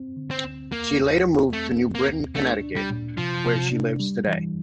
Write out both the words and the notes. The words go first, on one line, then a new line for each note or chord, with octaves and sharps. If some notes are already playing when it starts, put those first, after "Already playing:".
She later moved to New Britain, Connecticut, where she lives today.
Already playing: C4
D3
C4
D2
E2 A#3
E2
E2
A3 C4
C4
A#3
D2
A3 D4
D4
G3
A#2
C3 F3
C3
D4
G3
E3